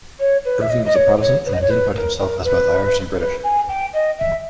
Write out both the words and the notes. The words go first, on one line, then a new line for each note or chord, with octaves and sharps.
Ervine was a Protestant and identified himself as both Irish and British.
C#5
B4
E5
D#5
D#5
C#5
C#5
B4
D#5
C#5
B4
A#4
A#4
B4
B4
G#5
G5
D#5
E5